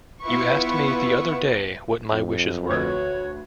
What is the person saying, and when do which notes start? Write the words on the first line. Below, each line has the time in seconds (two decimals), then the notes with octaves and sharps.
You asked me the other day what my wishes were.
0.24 B3 E4 F4 B4 C#6
2.12 F2
2.69 D2 F#4 B4 C#5 G#6